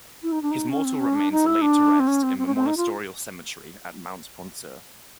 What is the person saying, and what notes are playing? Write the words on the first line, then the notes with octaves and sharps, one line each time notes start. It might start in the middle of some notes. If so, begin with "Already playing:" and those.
His mortal remains are laid to rest in the Monastorial Cemetery at Mount Poinsur.
E4
D#4
D4
D#4
C#4
C4
C#4
D4
D#4
E4
D4
C4
C#4
C4
C4
C#4
C4
D#4
F4